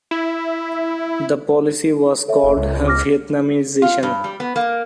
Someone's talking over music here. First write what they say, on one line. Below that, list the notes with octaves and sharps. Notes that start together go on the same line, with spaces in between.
The policy was called Vietnamization.
E4
A4 C#5 E5
F#1
C#2
D6 F6 A#6
F4
G2
G3
B3
A#3